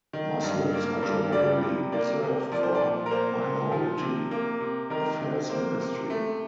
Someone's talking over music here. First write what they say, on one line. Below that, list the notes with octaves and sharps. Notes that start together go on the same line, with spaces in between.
Muslims are generally reserved for minority affairs ministry.
D#3
G2
A#3
G2
G3 D5
C3
A#3 D5
C3
F3 D5
C5
D5
A#2
A#4
A#3 C5
A#2
F3
C3
A#3
C3
D#3 A#4
C3
A#3 C5
C3
A3